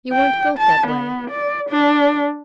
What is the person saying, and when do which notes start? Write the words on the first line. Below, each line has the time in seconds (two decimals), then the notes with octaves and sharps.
You weren't built that way.'
0.13 G5
0.58 A5
0.87 B3
1.31 D5
1.70 D4